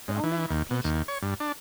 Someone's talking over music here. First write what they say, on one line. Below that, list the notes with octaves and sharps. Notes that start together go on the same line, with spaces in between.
But only have patience!
G#2
E3
D#2
B2
D#2
C#5
G2
D4